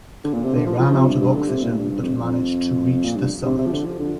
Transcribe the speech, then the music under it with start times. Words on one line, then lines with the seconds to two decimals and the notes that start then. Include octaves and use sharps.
They ran out of oxygen but managed to reach the summit.
0.24 D3
0.34 A#2
0.44 C3
0.55 D3
0.66 F3
0.79 F3
0.93 C3
1.08 G2
1.22 G2
1.35 D3
1.49 C3
1.63 A#2
1.77 G2
1.91 G2
2.02 F2
2.23 F2
3.04 A#2
3.16 G2
3.45 C3
3.58 C3
3.67 F3
3.73 D3
3.85 F3
3.99 D3